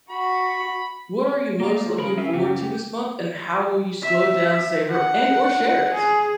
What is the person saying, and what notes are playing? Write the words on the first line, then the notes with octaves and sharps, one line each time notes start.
What are you most looking forward to this month, and how will you slow down, savor, and or share it?
F#4 B5
A#3 D5 F5 A#5
F3 F#3
C#3 A#4 B5
C#4 F4 E5
F#2 C#3 B3 G4
E5
F#5
G#4